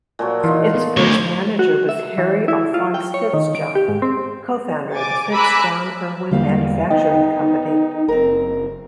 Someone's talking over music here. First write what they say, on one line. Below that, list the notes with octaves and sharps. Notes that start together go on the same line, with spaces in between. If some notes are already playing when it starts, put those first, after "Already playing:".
Its first manager was Harry Alphonse Fitzjohn, co-founder of the FitzJohn-Erwin Manufacturing Company.
A#2 F3 F#3
E3 D#4 F4
B3
D2 A3 C#5
F#4
E5
E3
E4
F4
G5
C#5
D#3
D7
G4
G#2
C4
G#5 D6 A6
G#5 A#5 B5 D6 E6 F#6
E2 G#2 D3 G3 A#3 F5 G5
B3 D#4 D#5 G5
F#1 C4 A#4